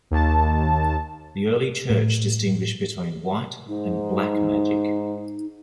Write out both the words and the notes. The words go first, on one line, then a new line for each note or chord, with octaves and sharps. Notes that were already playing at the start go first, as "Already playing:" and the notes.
The early Church distinguished between "white" and "black" magic.
D#2 A5
A2
G#2 D#4